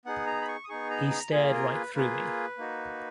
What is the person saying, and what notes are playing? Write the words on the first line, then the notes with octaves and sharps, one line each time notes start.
He stared right through me.
B3 D#4 G#4 F#5
A#5
B5
C#6
D#6
B3 D#4 G#4 C#6
A#5
A#5
A#3 F4 G#4 G#5
A#4
B4
A#3 F4 G#4 B4
A#3 D#4 F#4